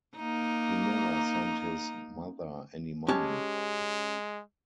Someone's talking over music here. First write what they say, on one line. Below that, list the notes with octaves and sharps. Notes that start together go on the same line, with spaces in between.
He never sent his mother any money now.
A#3 D#4
G#3 C#4 G4 A5